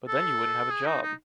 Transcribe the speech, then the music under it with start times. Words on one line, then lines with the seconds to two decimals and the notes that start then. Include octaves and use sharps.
But then you wouldn’t have a job.
0.08 A4
0.70 G#4
0.86 D#4
1.03 D#4